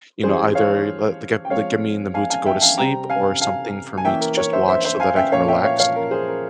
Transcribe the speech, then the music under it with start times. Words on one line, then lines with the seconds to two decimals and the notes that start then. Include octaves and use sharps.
you know, either, l like get like get me in the mood to go to sleep or something for me to just watch so that I can relax,
0.24 E3 G3 C#4 G#4 C5
0.55 C#5 F5
1.45 G5
1.50 F3 G#3 C4 C#5 F5
2.14 F5 G#5
2.30 F5 G#5
2.46 E5 G5
2.62 F5 G#5
2.77 C3 G3 C4 G5 A#5
3.10 F5 G#5
3.41 F5 G#5
3.98 G#5
4.05 E3 A#3 C#4 E5 G5
4.21 A#4
4.36 A#4 C#5
4.53 C5 E5
4.68 C5 E5
4.85 C5 E5
5.00 F5 G#5
5.16 E5 G5
5.32 A#2 F3 A#3 C#4 C#5 F5
5.48 E5 G5
5.63 C#5 F5
5.80 C#5 F5
5.96 A#4
6.11 G#4 C5
6.28 A#4